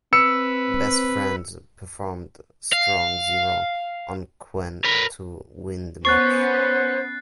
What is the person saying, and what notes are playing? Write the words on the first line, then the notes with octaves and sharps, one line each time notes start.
Best Friends performed "Strong Zero" on Quen to win the match.
C4 B4 E6 C#7
F5
A#4 B4
B3 C#4 C5 C#6 F#6 A6 C7